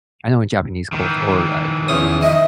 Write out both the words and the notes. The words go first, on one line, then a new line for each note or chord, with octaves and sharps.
I know in Japanese culture or, like, uh
D#3 E3
E2 C#4 D#6
D#5 E5